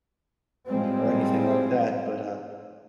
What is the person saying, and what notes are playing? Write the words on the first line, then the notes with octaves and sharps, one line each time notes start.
or anything like that, but, uh
A2 F3 G3 G#3 C4